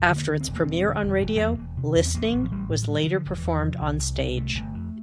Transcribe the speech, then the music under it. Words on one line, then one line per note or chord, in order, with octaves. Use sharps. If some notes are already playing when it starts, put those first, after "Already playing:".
After its premiere on radio, "Listening" was later performed on stage.
Already playing: E1
D3
A#3
D2
C4
E1
A#3
E1 C4
D3
E1
E1
A3
E2 A#3
E1
C3
E2
C4
A1 A#3
A1
F3
A1 G3
A2
F3
D3 G3
E3
D3
F3
E1
E3
E2
C3 F3
C2
C2
C2
C3 A3
G1
F2